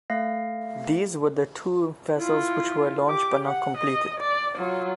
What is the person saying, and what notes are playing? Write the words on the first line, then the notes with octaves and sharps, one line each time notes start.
These were the two vessels which were launched but not completed.
A3 F5 A#6
E4 F4
G4 D6
F#5
D#5
D5
F#3 F4